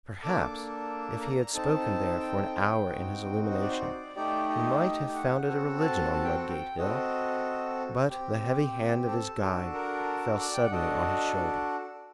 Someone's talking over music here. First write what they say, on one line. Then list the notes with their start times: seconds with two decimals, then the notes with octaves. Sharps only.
Perhaps if he had spoken there for an hour in his illumination he might have founded a religion on Ludgate Hill. But the heavy hand of his guide fell suddenly on his shoulder.
0.23 A#3 D4 A4 D6
1.22 A#5
1.54 C4 D#4 A4 A5
2.19 G5
2.85 C4 D#4 F#4
3.51 D#5
3.61 D5
3.71 C5
3.80 D5
4.16 A3 D#4 G4 D5
4.49 D#5
5.14 F#5
5.47 C4 F#4 A4
5.80 A5
6.13 A5
6.24 G5
6.36 F#5
6.47 G5
6.78 C4 F#4 A4 D#5
8.09 C4 G4
9.07 A4
9.40 D4 F#4 A4
9.74 A#4
10.39 D5
10.53 G5
10.63 F#5
10.71 D4 F#4 A4 D#5